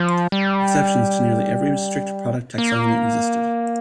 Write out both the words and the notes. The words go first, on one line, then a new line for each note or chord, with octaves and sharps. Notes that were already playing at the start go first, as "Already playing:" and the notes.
Exceptions to nearly every strict product taxonomy existed.
Already playing: F3
G3
A#3